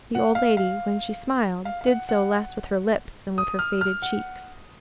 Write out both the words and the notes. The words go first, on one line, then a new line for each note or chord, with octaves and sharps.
The old lady, when she smiled, did so less with her lips than with her faded cheeks.
F#5
F5
F5
F5
F5
F#5
F#5
D#6
F6
F6
F#5